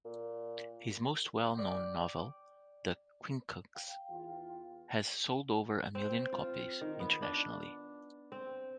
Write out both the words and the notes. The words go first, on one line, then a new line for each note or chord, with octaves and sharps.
His most well-known novel, "The Quincunx", has sold over a million copies internationally.
A#2
D5 G5
F5 G5
E2 F4
C4
F4
D#3
B3
D4
C4